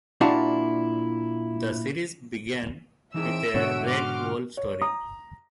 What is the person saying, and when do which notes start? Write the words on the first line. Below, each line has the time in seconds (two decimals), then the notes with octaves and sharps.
The series began with a Red Wolf story.
0.21 A#2 D4 E4 F#4 F5
3.14 E3 C4 D#4 G#4 E5 E6 D7
3.54 G#2 B2 D3 F#4 C#5
3.86 C6 D6 F6
4.57 C#5
4.82 A#5 D#6